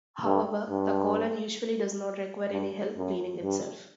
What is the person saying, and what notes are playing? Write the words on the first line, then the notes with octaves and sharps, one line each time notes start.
However, the colon usually does not require any help cleaning itself.
G2
G2
G2
F#2
G2